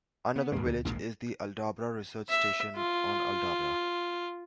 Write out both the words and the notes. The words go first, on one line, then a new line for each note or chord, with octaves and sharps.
Another village is the Aldabra Research Station on Aldabra.
B3
D#2 G#2 A#3
D2
A#1 D#2 G#2 A#3
E5
F4